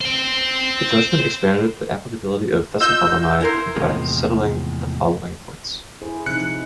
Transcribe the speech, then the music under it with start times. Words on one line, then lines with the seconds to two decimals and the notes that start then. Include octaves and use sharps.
The judgement expanded the applicability of thesawalamai by settling the following points.
0.01 C5 G5
2.80 F4 D#5 E6 G6
3.41 E4 A#4 C5
3.76 E2 A2 C3 F3 G#3
6.02 E4 G#4 C5
6.26 C3 F3 D#4 F#6 C#7